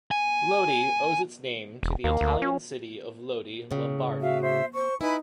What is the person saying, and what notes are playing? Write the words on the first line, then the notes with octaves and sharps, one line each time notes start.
Lodi owes its name to the Italian city of Lodi, Lombardy.
G#5
E1
D#2 A#3
D2
C#4
A2 C#3
F#4 E5 F5
C5 E5
C5 C#6
D#4 E4 B4 G#5 B5